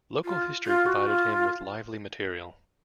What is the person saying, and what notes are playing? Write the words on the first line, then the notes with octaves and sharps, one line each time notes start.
Local history provided him with lively material.
F4
F4
F#4
F4